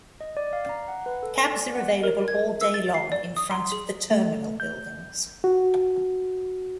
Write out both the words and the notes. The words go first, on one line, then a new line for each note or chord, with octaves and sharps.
Cabs are available all day long in front of the terminal buildings.
D#5
D5
F5
A#5
F#5
B4
A4
G#5
D5
F#5
A#4
G#6
E6
A6
C7
D5
D#6
C6
G#4
A3
G6
F#4